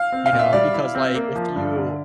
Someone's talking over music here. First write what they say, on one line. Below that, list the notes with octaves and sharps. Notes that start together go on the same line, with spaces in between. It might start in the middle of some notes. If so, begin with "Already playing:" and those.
You know, because, like, if you
Already playing: F5
C4
F5
A#2
E5
G3 D5
E4
C4
A#3
F3
G2
D3